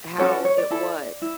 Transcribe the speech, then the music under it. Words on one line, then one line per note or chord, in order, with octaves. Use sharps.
how it was.
C#4 F#4 A4 C#5
D5
C#5
D5
E4 A4
E4